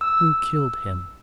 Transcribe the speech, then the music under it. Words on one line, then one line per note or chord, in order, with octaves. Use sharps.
"Who killed him?"
E6